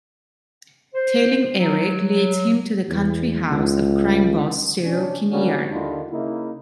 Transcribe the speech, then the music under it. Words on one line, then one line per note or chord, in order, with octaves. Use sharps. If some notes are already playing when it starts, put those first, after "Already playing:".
Tailing Eric leads him to the country house of crime boss Cyril Kinnear.
C5
F#3
E2
C#2
C3 C#4 D4
D3 G3 A#3 C#4 D4 F#4
D#2 D3 D#3 D4 E4 F4
C#3 A#3 D#4 E4